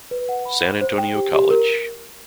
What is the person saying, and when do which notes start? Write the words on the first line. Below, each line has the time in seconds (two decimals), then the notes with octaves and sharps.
San Antonio College.
0.11 B4
0.29 F#5
0.45 B5
0.63 C5
0.81 C5
0.98 G5
1.15 G4
1.34 G4
1.50 A#4